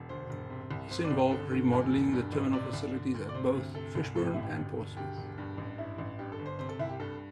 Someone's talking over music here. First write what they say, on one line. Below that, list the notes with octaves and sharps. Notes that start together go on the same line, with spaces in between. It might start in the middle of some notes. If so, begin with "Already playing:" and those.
This involved remodelling the terminal facilities at both Fishbourne and Portsmouth.
Already playing: E1
D2 C5
E1
C3
C2
C3 C5
D5
C2
C5
D3 A4
D2
E2
E1
G2
A1
C3 D5
C2
D3
D2
D5
C3 C5
D2
C3 A4
C2
A2 A4
G4
A1 E4
G4
D2
E1
D2 G4
E1
G2
A1
G2 E4
A1
G2 G4
A4
G1
C5
C3 C5
A4
C2 E4
G4
G2 A4